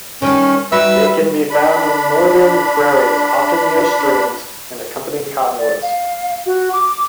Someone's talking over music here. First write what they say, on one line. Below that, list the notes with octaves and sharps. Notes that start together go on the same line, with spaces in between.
It can be found on the northern prairies, often near streams, and accompanying cottonwoods.
D#3 G3 C#4 A4
G3 D#4 F#4 B4 E5 E6
D4 B5
D5
F5
F#4
D6